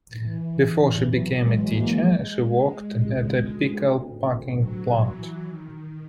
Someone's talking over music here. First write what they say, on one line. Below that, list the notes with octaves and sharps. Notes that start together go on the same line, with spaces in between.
Before she became a teacher, she worked at a pickle-packing plant.
E3
F#3
G#3
A#3
G#3
F#3
E3
D#3